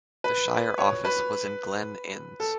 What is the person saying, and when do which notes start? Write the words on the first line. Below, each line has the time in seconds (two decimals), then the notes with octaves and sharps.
The shire office was in Glen Innes.
0.24 B4
0.78 C#5
1.05 B4
2.40 A4